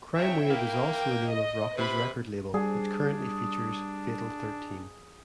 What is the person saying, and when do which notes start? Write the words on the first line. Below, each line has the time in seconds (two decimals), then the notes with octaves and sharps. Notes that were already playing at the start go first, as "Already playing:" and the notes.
CrimeWave is also the name of Rocky's record label, which currently features Fatal Thirteen.
0.17 C#3 C#5 E5 G5
0.50 A#3 E4 G5
0.90 G5
1.28 D#5
1.77 C3 B4 B5
2.54 G3 D4 G#4